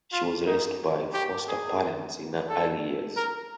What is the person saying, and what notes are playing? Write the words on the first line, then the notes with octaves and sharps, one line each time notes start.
She was raised by foster parents in her early years.
F4
D#4
G4
G#4
A4
A#4